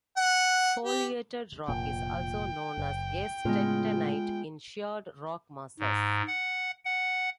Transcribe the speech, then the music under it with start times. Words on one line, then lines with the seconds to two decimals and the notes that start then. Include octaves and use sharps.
Foliated rock is also known as S-tectonite in sheared rock masses.
0.17 F#5
0.85 G4
1.68 F1 A#2 G5
2.78 F#1
3.45 A2 C#3 G#3 B3 F4
5.79 G#2
6.27 F#5
6.85 F#5